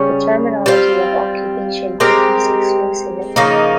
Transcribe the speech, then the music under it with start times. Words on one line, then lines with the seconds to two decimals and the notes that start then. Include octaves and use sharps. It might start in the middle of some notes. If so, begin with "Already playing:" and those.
The terminology of "occupation" is used exclusively.
Already playing: C#3 G3 C#4
0.66 G3 C4 F4
2.00 G#3 C4 G4 A#4
3.36 C#3 F3 A#3 D#4